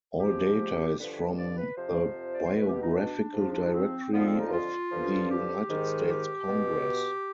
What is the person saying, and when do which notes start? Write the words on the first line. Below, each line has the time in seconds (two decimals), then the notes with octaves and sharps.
All data is from the "Biographical Directory of the United States Congress".
0.19 G#2 F3 G4
0.98 G2 D3 F3 B4
1.11 B4
1.37 D5
1.57 B4
1.76 F2 C3 F3 C5
2.33 D5
2.43 C5
2.54 B2 B4
2.67 G4
2.81 D#4
2.94 D4
3.33 G#2 F3
3.73 C4
4.12 F2 D3 F3 B3
4.25 C4
4.38 D#4
4.51 F4
4.90 G2 D3 F3
5.29 G4
5.68 G#2 D#3
6.09 G4
6.47 B2